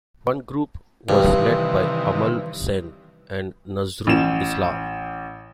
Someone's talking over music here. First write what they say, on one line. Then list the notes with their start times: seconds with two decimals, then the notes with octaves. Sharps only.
One group was led by Amal Sen and Nazrul Islam.
1.09 G2 C3 D#3 E3
4.07 A1 E7